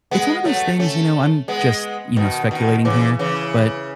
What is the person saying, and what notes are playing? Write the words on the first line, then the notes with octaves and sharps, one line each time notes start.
It's one of those things, you know, I'm just, you know, speculating here, but
G#3 B3
F#3 A3
A3 C#4
G#3 B3
B2 D#3
B2 D#3
C#3 E3
C#3 E3